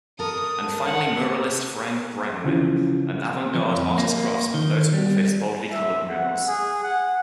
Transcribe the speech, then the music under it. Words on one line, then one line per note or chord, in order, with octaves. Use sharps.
And finally muralist Frank Brangwyn, an avante-garde artist-craftsman notable for his boldly-coloured murals.
A4 A#4 D#6
F#5
C#3 E3 F3
F3
F2
A#3
D#3
G3
E5
F#5
G#4
F#5